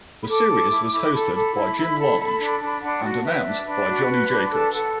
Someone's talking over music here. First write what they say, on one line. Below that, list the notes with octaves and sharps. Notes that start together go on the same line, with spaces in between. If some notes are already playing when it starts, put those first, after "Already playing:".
The series was hosted by Jim Lange and announced by Johnny Jacobs.
B5
A4 D6
A4
E4
E4
A4 B5
A4
E4
E4
A4
A4
D4
D4
D4 F#5
F#4
B4 E5
D4
D4 B5
F#4
B4
D4
A4 A5
A4 F#5